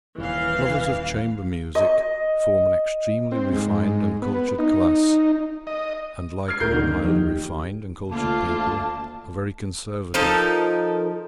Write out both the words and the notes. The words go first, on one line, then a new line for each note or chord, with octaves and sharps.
Lovers of chamber music form an extremely refined and cultured class, and, like all highly refined and cultured people, are very conservative.
D#1 E3 F5
D#5
C4
G#2
B3
D#4
D#5
F6 G#6 C7
D2 A#4 G6
F#1 D3 D#3
F3 D#4 G4
D2
D2 A3 A#3 F4 A5
F3 D#4 A4 A#4